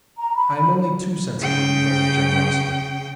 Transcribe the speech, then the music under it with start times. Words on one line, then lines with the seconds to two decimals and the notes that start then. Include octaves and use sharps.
I am only too sensible of your brother's generosity.
0.18 A#5
0.34 B5
1.40 C#3 G5